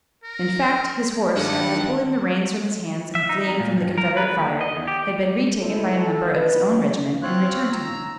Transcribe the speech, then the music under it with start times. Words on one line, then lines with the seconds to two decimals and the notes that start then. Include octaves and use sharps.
In fact his horse, after pulling the reins from his hands and fleeing from the Confederate fire, had been retaken by a member of his own regiment and returned to him.
0.23 A#4
1.36 G2 D#3 F#5
3.15 E5
3.29 D#4
3.47 F2
3.60 A#2
3.76 G2
3.98 A#4
4.17 B4
4.39 D#2
4.61 D#5
4.76 E2
4.87 G4
5.60 C#2 E4 A4 C5
5.98 A4
6.33 B4
6.70 F#2
7.22 C4 F4 C#5 F#6
7.72 A#5 E6